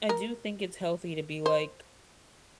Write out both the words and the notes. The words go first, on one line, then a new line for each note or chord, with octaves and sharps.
I do think it's healthy to be like,
A#4
C5